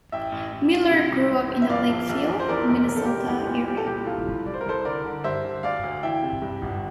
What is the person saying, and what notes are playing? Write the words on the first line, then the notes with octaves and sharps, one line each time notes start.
Miller grew up in the Lakeville, Minnesota, area.
A1 E5 G5
A1
A1
A2
C3
C2
C2
C2
E5
A#1 D5 F5
A#1
A#1
A#1
C5
E2 A#4 D5
F1
F1 A#4
A4
F1 G4 A#4
C2 G4
A#2
A#2 G4
A4
C2 G4
C2 F4 A4
C2
C2 D5
C5
A#4
C2 A4 C5
D3 A#4 D5
D3
G2 C5 E5
D3
D2 D5 F5
D2
E3 E5 G5
C3
G2
G1